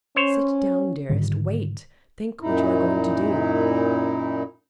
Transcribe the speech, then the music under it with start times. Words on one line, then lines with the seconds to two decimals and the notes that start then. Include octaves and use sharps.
Sit down, dearest; wait--think what you are going to do.
0.16 C#4 C5 C#5
1.10 G#2 D3 D#3 G3
2.41 F#2 A#2 D#4 E4